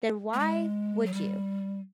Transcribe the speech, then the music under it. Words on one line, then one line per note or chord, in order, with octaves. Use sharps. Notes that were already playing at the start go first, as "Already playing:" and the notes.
then why would you?
A3
G#3
F#3
G3